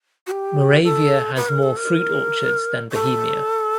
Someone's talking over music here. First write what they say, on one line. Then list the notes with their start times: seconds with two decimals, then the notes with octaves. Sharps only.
Moravia has more fruit orchards than Bohemia.
0.27 F#4
0.31 G4
0.84 A4
1.36 B4
1.49 A#4
1.63 A4
1.77 A#4
2.92 A4